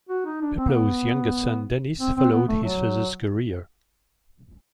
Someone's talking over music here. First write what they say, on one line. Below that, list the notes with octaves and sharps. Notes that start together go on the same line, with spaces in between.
Peploe's younger son Denis followed his father's career.
F#4
D#4
D4
C4
A#3
B3
C4
C4
B3
A3
F#3